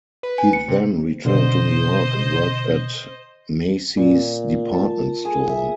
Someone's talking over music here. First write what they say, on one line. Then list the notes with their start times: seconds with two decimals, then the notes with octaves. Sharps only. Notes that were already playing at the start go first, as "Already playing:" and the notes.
He then returned to New York and worked at Macy's Department Store.
0.23 B4
0.38 G#5
0.53 C#7
0.68 C3
1.25 B2 D3 C5 D#5
3.97 A#2
4.72 A5
5.25 G#4
5.49 E5